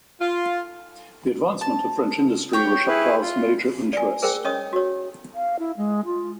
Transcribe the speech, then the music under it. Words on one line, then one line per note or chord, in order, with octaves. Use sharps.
The advancement of French industry was Chaptal's major interest.
F4
A5
G4 C#5 G5
E4 G#4 B4
F4
D5 G#5
G#4 A#4 C5 G5
C#4 C#5 D#5 C#6 D#6
F#4 C#5
F5
E4
G#3
F4